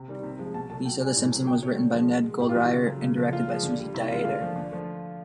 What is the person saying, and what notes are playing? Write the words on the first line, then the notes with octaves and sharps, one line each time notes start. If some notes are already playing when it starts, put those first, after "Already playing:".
"Lisa the Simpson" was written by Ned Goldreyer and directed by Susie Dietter.
Already playing: C3
D#3 G3
C3
F3 G#3
B2 A5
F#3 A3 A5
B2 G5
G3 G#5
A2
F#3 A3
C#3 G5
F#3 A3 C#5
D3
F3 G#3
B2
G#3
A2 G4
F4
E3 G3 F#4
C#3 F4
F#3 A3
C#3
F3 A3
A#2 F4
F3 G#3
D3
G3
C3 E4
E3 G#3 F4
D3 F4
F3 A3
D3
F3 A3